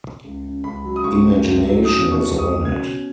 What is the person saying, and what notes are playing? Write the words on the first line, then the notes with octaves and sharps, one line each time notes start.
Imagination is the limit.
C#2
C#3
C#2 B5
F#3
D#6
C#2 C#6
C#3
C#2
F#3
C#4 D#6
B2
C#6
C#2
C#6
D#6
F#3
C#4 G#6
B2